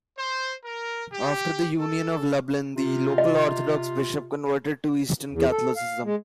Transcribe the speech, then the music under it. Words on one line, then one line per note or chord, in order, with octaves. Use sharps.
After the Union of Lublin the local Orthodox bishop converted to Eastern Catholicism.
C5
A#4
G4
A4
C3 F4
D#5
E2
A4
F5
G#3